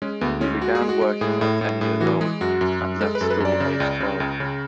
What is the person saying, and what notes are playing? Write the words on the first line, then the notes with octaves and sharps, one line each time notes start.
He began working at ten years old, and left school aged twelve.
G#3 C#4
D2 B3
G#3 C#4
G#3 F#4
G#4
G#3
F#4
G#3
A2 G#4
A2
A2
A2 G#4
E3 F#4
G#3 G#4
F#2 F#4
F#2
F#2
G#3 A4
B4
F#2 A4
B4
F#2 D5
C#3
C#2
C#3
C#2
C#3